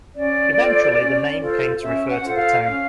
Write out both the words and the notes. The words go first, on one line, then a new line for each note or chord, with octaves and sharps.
Eventually the name came to refer to the town.
C#4 D5
F4 A4 C5
C#4
F4 A4 C5
C#4 E5
F#5
F4 A4 C5
F5
C#4 F5